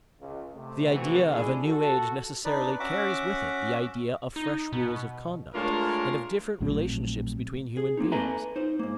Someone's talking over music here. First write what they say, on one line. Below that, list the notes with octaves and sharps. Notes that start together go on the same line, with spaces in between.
The idea of a New Age necessarily carries with it the idea of fresh rules of conduct and of different relationships between human beings.
C#2
C3 A3
E3 F#4
G#3 A3 D4 E4 G#4
F#4 A4
D4 D#4 B4 D5
C#4 F#4 E5 F#5 D6
D#4
B2
G#3 A3 D4 F4 A#4 C#5
A#1 A2 F#3 C4
G#4
A#3 C4 D#4
A4 B4 E5 G#5 A#5
D#4 C5
G#2 A#3